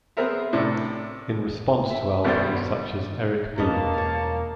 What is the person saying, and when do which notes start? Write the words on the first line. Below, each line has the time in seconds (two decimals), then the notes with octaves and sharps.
In response to albums such as Eric B.
0.17 B3 C4 G#4 A#4 E5
0.53 A2 C3 D4
1.90 E5
2.25 G#1 B2 G3 B3 C5 D5
3.58 E1 A#3 C#4 B4 D#5 A5
3.93 C#5 F5